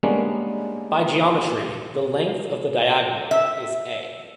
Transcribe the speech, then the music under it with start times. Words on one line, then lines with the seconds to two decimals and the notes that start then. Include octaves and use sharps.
By geometry, the length of the diagonal is "a".
0.03 G3 G#3 A#3 B3 C#4 D4
3.31 E5